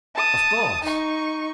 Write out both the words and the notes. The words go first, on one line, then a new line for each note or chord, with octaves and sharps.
"Of course."
A5 D#6
D#4 C#6